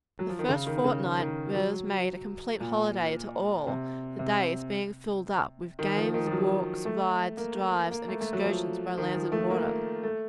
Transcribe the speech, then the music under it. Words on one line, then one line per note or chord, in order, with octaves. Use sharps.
The first fortnight was made a complete holiday to all, the days being filled up with games, walks, rides, drives and excursions by land and water.
F#3
F3
D#3
C#3
D#3
C#3
D#3
F#3
A#2
C3
C3
D#3
F3
D#3
F3
F#3
A3
A#3
A#3
A3
A3
F#3
F3
D#3
F3
A3
A#3
A3